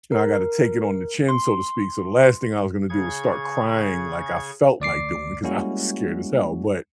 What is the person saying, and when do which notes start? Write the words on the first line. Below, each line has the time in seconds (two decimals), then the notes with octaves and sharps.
you know, I gotta take it on the chin, so to speak, so, the last thing I was gonna do was start crying like I felt like doing because I was scared as hell, but,
0.12 A#4
1.29 C6
2.90 C#3 G#4 C#6 G#6
4.80 D2 D5 D6 C7
5.43 G3 G#3 A#3 C#4 E4 F#4